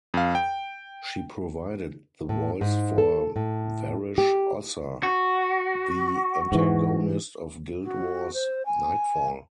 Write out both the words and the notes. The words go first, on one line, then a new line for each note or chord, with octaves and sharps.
She provided the voice for Varesh Ossa, the antagonist of Guild Wars' "Nightfall".
F2 F5
G5
A2
G#2
A4
A2
G4
F#4
G#2 E3
F#4
C5
G#5